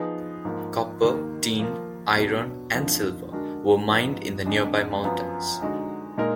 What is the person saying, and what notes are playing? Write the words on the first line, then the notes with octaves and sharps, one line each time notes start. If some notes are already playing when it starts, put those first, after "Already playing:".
Copper, tin, iron and silver were mined in the nearby mountains.
Already playing: F3 B3 D#4 G#4
G#2 F3 A#3
D#2 D#3 A#3 D#4
F3 A#3 F4 A#4
B2 F#3 D4
F2 D3 F3 A#3 D#4
D3 G#3 D4 F#4 A#4
G#2 F3 B3
F2 D3 G#3 D4
F#2 F3 B3 F4
D3 G#3 D#4 F#4
A#2 G#3 D#4 A#4